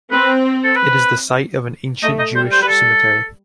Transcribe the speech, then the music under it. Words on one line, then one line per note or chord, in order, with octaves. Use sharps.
It is the site of an ancient Jewish cemetery.
C4 B4
A4
B4
A3 D#5
D#5
G3 C5
C5
B4
A4